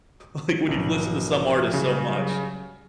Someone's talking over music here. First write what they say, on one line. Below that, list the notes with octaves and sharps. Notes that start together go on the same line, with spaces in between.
L like when you've listened to some artist so much,
B1 G#2 F3 A#3
C#3 F#3 G3